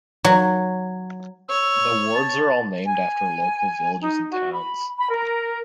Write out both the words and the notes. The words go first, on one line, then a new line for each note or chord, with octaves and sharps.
The wards are all named after local villages and towns.
F#3
C#5 E6
A5
G#5
D#4
F#4
B5
B5
A#4